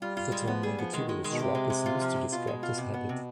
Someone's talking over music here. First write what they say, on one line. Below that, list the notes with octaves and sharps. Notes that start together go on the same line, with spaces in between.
The term lignotuberous shrub is used to describe this habit.
G3 F4
F4
G#3
D#3
F3 B3
G3 G#4
F3 B3
D#3 G#3
G#3
G#3
B2
C3 G4
G#3
G#3
F4
F3
G#3
B2 F4
G#3
F4
C3
B3
C3